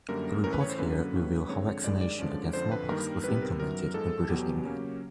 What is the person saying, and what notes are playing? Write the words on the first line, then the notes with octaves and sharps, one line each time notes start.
The reports here reveal how vaccination against smallpox was implemented in British India.
F#2 D3 G3 A#3 A#4
A2 E3 A3 C#4 A#4
B4
C#5
C5
F#2 D3 F#3 A#3 C#4 B4
A2 F#3 A#3 C#4
D3 F3 G#3 C4 C#5
G2 D#3 G#3 D5
D5
D3 F3 G#3 C#4
F2 D3 F3 C5
B4
G2 D#3 G3 A#3 A#4
C3 D#3 G3 B3 B4
A#4
F#2 D#3 F#3 B3 A#4
G#2 F3 G#3 A4
E2 B2 F#3 B3 G4
C#3 F#3 A#3 C#4